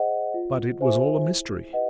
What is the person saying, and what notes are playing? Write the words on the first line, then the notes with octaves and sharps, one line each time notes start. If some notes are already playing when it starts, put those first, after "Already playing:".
But it was all a mystery.
Already playing: G#4 C5 D#5 F#5
F4
G#4 C5 E5 G#5
E4
G4 B4 D#5 F#5